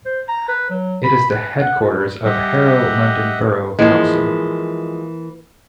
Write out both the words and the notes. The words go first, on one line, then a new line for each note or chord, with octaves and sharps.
It is the headquarters of Harrow London Borough Council.
C5
A#5
B4
F#3
B5
B4
F#5
F4
G3
G3 G4 D#5 E5 F#5
E3 F3 G#3 A#3 E4